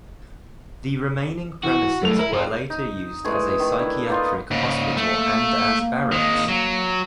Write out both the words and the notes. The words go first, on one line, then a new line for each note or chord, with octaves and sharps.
The remaining premises were later used as a psychiatric hospital and as barracks.
E3 F#4
F#2 A2 A4 F7
E4 A#4
C4 F4
D#4
E3 G#3 A3 G#4
D#3
D4 E4
A#3 B3 D#4 F4
G#2 C#3 A#3
A3
D#3 G#3
F#3